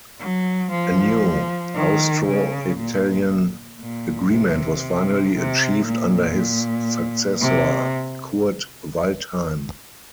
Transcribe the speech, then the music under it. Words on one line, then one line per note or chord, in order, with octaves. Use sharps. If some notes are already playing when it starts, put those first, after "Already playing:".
A new Austro-Italian agreement was finally achieved under his successor Kurt Waldheim.
F#3
F3
D#3
C#3
A#2
A#2
C3
C3
A#2
C3